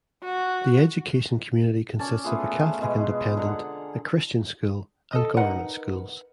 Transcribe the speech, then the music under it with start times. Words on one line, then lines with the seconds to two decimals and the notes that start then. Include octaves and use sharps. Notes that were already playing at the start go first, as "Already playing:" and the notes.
The education community consists of a Catholic Independent, a Christian School and Government schools.
0.24 F#4
1.99 C#4 D5 A5
2.24 A3 B3 F4 G#4
2.81 B2 G#3 B3 G#4
3.37 D3 F#5 A#5
5.13 A4 D#5
5.37 D#4 A#4 B4 F#5